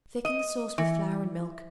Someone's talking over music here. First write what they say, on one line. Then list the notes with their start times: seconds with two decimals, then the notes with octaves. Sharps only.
Thicken the sauce with flour and milk.
0.25 D#5
0.78 E3